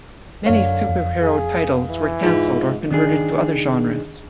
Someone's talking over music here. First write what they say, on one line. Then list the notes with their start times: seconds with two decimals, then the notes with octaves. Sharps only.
Many superhero titles were cancelled or converted to other genres.
0.46 F#2 D3 C#5 F5
0.89 F2
1.21 G#4
1.89 E3
2.23 G#2 F4
2.91 D#3 D4 G#4